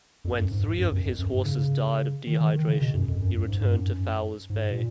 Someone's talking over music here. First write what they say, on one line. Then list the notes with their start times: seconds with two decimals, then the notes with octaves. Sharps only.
When three of his horses died of dehydration, he returned to Fowler's Bay.
0.24 F2
0.37 F#2
0.51 G#2
0.65 G#2
0.78 F#2
0.91 F#2
1.05 F2
1.19 F#2
1.32 G#2
1.45 C#3
2.27 D#3
2.40 D#3
2.54 D#3
2.68 C#3
2.81 B2
2.94 F#2
3.07 F2
3.22 F#2
3.35 F#2
3.48 G#2
3.61 G#2
3.68 F#2
4.50 G#2
4.70 A#2